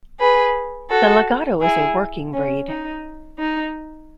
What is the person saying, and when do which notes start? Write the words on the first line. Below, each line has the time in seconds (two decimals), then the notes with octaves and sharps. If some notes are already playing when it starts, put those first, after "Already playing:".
The Lagotto is a working breed.
0.19 G#4 B4
0.90 F#4 A4
1.61 E4 G#4
2.32 C#4
2.68 D#4
3.39 D#4